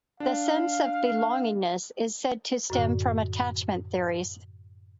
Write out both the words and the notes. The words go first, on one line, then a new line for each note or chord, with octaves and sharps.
The sense of belongingness is said to stem from attachment theories.
D4 F5
F#2 A2 D3